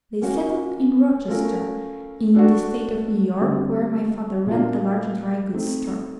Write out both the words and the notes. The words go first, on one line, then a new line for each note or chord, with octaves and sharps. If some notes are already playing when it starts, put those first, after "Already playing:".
They settled in Rochester, in the State of New York, where my father ran a large dry goods store.
A#3 C#4 F#4 A#4
A3 C#4 F4 A#4
A3 D4 F#4
D3 G3 C4
A#2 F#3 A#3 D4 F4
A3 C4 D#4